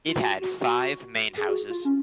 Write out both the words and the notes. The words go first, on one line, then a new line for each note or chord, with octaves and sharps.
It had five main houses.
F4
F#4
F#4
F#4
G#4
F#4
F4
C#4